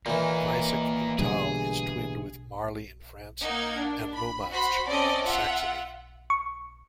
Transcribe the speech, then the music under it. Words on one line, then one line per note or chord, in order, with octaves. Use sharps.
Weissach im Tal is twinned with Marly in France and Lommatzsch in Saxony.
A#2 E3 A#3 D#4
B2 D3 G3 G#4
A#3 D#4 A#4 F#5 G#6
D4
B5
F#4 C5 B5
C4 C#4 A4 D5 D#5
F4 E5 F#5
C#6